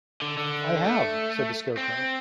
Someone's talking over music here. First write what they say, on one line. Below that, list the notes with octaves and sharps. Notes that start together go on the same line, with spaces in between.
"I have," said the Scarecrow.
D3
D3
A3
C4